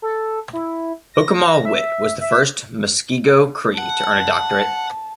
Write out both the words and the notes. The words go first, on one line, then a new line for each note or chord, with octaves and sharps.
Hookimaw-Witt was the first Muskego-Cree to earn a doctorate.
A4
E4
A#6
E5
E5
F#5 A5